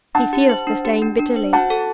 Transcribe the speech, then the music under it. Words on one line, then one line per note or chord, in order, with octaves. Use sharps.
He feels the stain bitterly.
D4 F#5 A5
G4
C5
D4
G4
D4
D4
C5
F#4 F#5 A5
A4